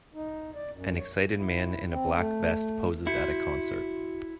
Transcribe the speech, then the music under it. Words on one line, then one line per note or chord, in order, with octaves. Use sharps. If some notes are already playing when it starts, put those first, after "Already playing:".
An excited man in a black vest poses at a concert.
D#4
D5
F#2
C#5
F#2
E4
C4
A3
E4 F#4 C#7